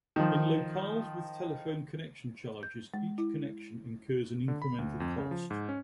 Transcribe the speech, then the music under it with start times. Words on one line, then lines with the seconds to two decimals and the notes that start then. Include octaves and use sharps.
In locales with telephone connection charges, each connection incurs an incremental cost.
0.16 D#3 F3
2.63 G6
2.94 G#3
3.18 E4
4.48 D3
4.62 B5
4.78 D2
5.00 F2
5.18 C#3
5.31 F3
5.50 G#2
5.69 C#4